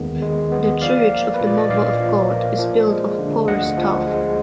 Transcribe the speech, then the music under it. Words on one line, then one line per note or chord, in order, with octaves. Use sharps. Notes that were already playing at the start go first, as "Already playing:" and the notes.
The church of the Mother of God is built of porous tuff.
Already playing: D#2 D#3 G#3 B3 G#4
G#3
B3
F3 D5 F5
A#3
B4
A#2
D5
D#5
A#1 D5 F5
F3
A#3
F3
G#3
D3
D2 D#5 F#5
F3
G#3